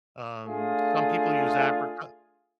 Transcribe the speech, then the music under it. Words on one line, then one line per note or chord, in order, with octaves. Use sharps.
Um, some people use apricot
A3 D4 F4 G#4